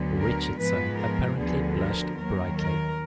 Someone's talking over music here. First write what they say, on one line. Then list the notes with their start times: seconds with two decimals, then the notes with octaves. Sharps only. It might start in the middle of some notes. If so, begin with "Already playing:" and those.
Richardson apparently blushed brightly.
Already playing: D2 D3 F#3 B3
0.18 A#4
0.58 G#2 F3 G#3 B3 B4
0.98 A#4
1.37 D2 D3 F3 B3 G#4
1.77 A#4
2.16 D#2 D#3 F#3 A#4
2.57 A#4